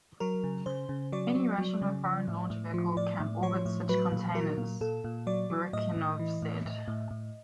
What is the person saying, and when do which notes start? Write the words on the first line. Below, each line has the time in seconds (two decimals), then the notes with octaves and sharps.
"Any Russian or foreign launch vehicle can orbit such containers," Bryukhanov said.
0.20 F#3 A#4
0.44 C#3
0.66 C#3 C5
0.89 C#3
1.12 F#3 D5
1.36 F#3
1.58 F#3
1.81 C#3
2.05 F3
2.28 A2
2.50 A2
2.74 F3
2.97 A2 D5
3.20 A2
3.43 F3 C#5
3.65 A2
3.89 F#3 B4
4.12 A#2
4.34 F#3 A#4
4.57 A#2
4.81 A#2 A4
5.04 A#2
5.27 F#3 D5
5.50 F#3
5.73 A2 D#5
5.96 A2
6.19 E3
6.42 A2
6.65 A2
6.88 A2
7.11 A2